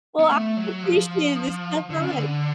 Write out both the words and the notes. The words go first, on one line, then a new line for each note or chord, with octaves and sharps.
Well, I appreciated this, so fun
B3
A3
F#3
F3
D3
C#3
D3